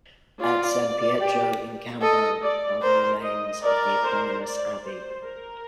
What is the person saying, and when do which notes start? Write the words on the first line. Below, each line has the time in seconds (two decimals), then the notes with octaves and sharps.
At San Pietro in Campo are the remains of the eponymous abbey.
0.40 F4 D5
1.21 G4
2.01 A4 D#5
2.42 D5
2.82 A#4 C5
3.22 D#5
3.63 A#4 D5
4.04 C5
4.44 D5
4.84 C5
5.24 A#4